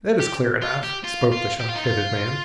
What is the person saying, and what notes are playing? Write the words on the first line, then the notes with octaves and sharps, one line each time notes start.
"That is clear enough," spoke the shock-headed man.
G4
F4
G4
F4
F4
G4
F4
D#4
F4